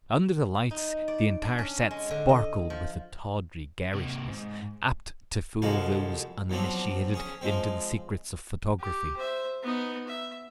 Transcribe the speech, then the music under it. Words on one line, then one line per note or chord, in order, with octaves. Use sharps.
Under the lights the entire set sparkled with a tawdry garishness apt to fool those uninitiated into the secrets of photography.
D#4
D5
D4
C#4
G#3
D3
D#5
F3
C3 A#3
G#2
C2 F2 G#3 F#4 F5 A5
E2 F3 F#3 C4 D4
C#4 G#4
F3 G#3 C4
G4
C5 E5
B3 D#4
E5